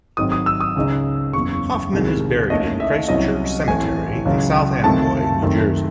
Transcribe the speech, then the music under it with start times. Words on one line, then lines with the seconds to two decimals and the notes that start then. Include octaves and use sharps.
Hoffman is buried in Christ Church Cemetery in South Amboy, New Jersey.
0.17 G#1 G#2 F#3 C4 D#4 D#6
0.32 D#6
0.46 E6
0.61 D#6
0.76 C#2 C#3 G#3 D#4
1.33 F#1 E2 C#3 C#6
1.93 C2 C3 D#3 G#3
2.50 D#2 D#3 A3 C#4 D#5
2.80 E5
3.08 C2 C3 F#3 C#4 E4 D#5
3.67 A1 A2 E3 A3 C4 G#5
4.25 C#2 C#3 F#3
4.84 C#2 C3 D#3 A3 C4 A5
5.42 F#2 D#3 A3 C4